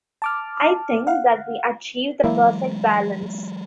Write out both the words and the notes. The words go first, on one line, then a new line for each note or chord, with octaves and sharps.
I think that we achieved the perfect balance.
A5 D6 F6
F5 F#5
E3 F#3 G#3 A#3 E4